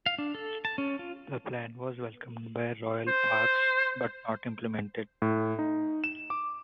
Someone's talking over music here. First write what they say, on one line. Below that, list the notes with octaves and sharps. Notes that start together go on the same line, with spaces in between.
The plan was welcomed by Royal Parks but not implemented.
F5
D4
A4
A5
C#4
F4
C5
A2
D#4
E7
D6